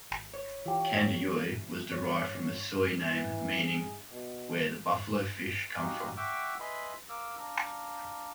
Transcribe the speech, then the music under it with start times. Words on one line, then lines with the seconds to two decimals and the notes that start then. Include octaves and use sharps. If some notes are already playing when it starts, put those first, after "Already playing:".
Kandiyohi was derived from a Sioux name meaning "where the buffalo fish come from".
0.11 G#1
0.34 C#5
0.66 E3 F4 G4
1.92 C#5
3.10 E3
3.63 G#4
4.12 B2
5.80 D#4 F#4 G4 F5 G#5 A#5
6.17 E5 F#5 G5 C#6 D6 E6
6.60 B4 D#5 E5 G#5 B5 C6
7.09 A#4 F5 D6 E6
7.38 D4 F5 A#5